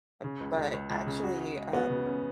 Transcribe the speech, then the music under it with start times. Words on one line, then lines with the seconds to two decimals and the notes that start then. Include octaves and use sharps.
uh, but, actually, um,
0.24 C#3
0.41 C#2
0.57 C#2
0.74 C#2
0.90 C#2
1.07 C#3
1.23 F#4
1.40 F#4
1.57 G#3
1.73 B3 F#4
1.90 C#3
2.06 C#4